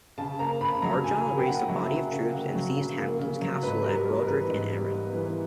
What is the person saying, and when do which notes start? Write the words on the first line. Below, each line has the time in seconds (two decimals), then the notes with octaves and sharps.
Argyll raised a body of troops and seized Hamilton's castle of Brodick in Arran.
0.18 C#3 A5
0.39 A#3 A#5
0.61 C#3 B5
0.82 F#3 A#5
1.04 C#3 G#5
1.26 A#3
1.38 G5
1.47 C#3 F#5
1.68 F#3 E5
1.90 C#3
2.11 A#3
2.34 C#3
2.55 F#3
2.77 C#3
2.98 A#3
3.19 C#3
3.41 F#3
3.62 G#2 B4
3.84 G3 A#4
4.05 B3 A#4
4.20 A#4
4.27 E3 B4
4.49 G#2
4.70 G3
4.92 B3
5.13 E3